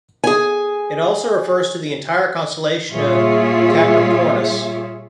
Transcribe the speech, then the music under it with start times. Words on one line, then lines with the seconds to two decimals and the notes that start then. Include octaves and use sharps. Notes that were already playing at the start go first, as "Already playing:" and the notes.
It also refers to the entire constellation of Capricornus.
0.24 G#4 G#5
2.94 A#2 G3 F4 G#4 C#5 E5